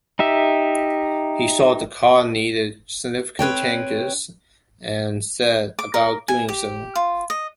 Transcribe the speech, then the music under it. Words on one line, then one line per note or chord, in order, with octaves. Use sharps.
He saw the car needed significant changes, and set about doing so.
D#4 G4 E5
C4 B4 C#5 G5
D6
A#4
G#5
G4
F4
D#5